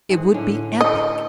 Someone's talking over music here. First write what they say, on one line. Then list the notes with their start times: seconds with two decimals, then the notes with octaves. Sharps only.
It would be epic.
0.09 G#2 G#4 F#5
0.34 A2 D3 C#4
0.81 D#5